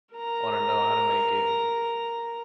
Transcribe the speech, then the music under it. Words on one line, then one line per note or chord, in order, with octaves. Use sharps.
I wanna know how to make it.
A#4 A#5